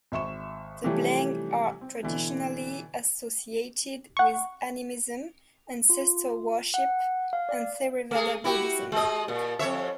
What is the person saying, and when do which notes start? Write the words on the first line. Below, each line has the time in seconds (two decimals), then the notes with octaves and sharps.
The Blang are traditionally associated with animism, ancestor worship, and Theravada Buddhism.
0.12 G#1 E5 C#6 E7
0.84 C3 E3 F3 G3 A3 C#4
1.81 C4
2.03 B2 D3 E3
4.17 F#5 C#6
5.90 F4
6.74 F#5
7.33 F5
7.49 D5
8.11 A3 G#4
8.44 E4 F#4 G4
8.92 G#3 D#5
9.28 A#2
9.59 F2 C#5 E5